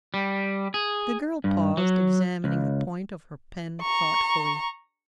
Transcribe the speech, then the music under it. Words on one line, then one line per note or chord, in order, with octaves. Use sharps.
The girl paused, examining the point of her pen thoughtfully.
G3
G#4
G2
F#3
C#2
A#5 C#6